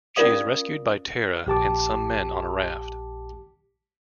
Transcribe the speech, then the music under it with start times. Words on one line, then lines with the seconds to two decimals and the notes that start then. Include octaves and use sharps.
She is rescued by Tara and some men on a raft.
0.16 C#4 F4 A#4 D5 F5 D#6
1.47 A#1 G4 A5 D6